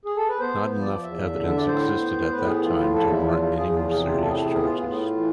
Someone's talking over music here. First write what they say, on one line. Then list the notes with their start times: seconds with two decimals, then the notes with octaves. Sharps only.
Not enough evidence existed at that time to warrant any more serious charges.
0.05 G#4
0.17 A4
0.29 B4
0.40 B3 C5
0.72 F3
0.82 D5
1.03 E2 E5
1.36 D3
1.48 E5
1.57 D5
1.67 A2 C5
1.99 B3
2.30 A2 B4
2.47 G#4
2.62 F3 F4
2.79 F4
2.94 E2 A4
3.11 E4
3.27 F3 F4
3.41 F4
3.58 E2 G#4
3.74 F4
3.89 C3 G#4
4.05 F4
4.21 A2 A4
4.28 G#4
4.35 A4
4.43 G#4
4.53 B3
4.63 F4
4.78 G#4
4.85 A2 F4
5.17 E3